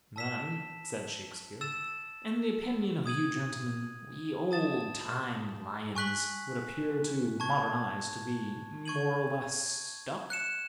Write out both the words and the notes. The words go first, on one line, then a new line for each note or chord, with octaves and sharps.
"Then," said Shakespeare, "in the opinion of you gentlemen, we old-time lions would appear to modern eyes to be more or less stuffed?"
A5 E6 B6 E7
E6 A6 E7
D#6 G#6 D#7 F#7
A5 D#6 A6 E7
G#5 C#6 F#6 B6 F#7
A5 C#6 G#6
C#6 G#6 D#7 F#7
F#6 C#7 E7